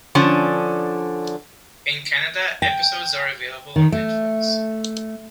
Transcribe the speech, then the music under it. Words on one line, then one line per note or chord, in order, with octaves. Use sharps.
In Canada, episodes are available on Netflix.
D3 F3 C#4
G5
D#3
A3